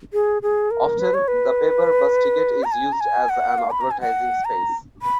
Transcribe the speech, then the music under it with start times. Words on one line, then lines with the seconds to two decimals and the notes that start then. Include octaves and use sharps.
Often, the paper bus ticket is used as an advertising space.
0.13 G#4
0.42 G#4
0.71 A#4
0.99 B4
1.14 C#5
1.28 B4
2.64 A#5
2.72 G#5
2.93 A#5
3.01 G#5
3.29 F#5
3.58 F5
3.71 B5
3.81 A#5
3.91 G#5
4.01 F#5
4.45 A#5
5.02 B5